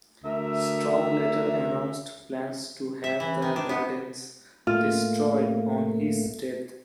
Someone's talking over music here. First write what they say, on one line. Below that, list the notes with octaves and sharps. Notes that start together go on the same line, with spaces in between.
Strong later announced plans to have the gardens "destroyed" on his death.
D2 A#4 E5
E5
E3
D#3
D4
B3
A2 A3 A#3 F4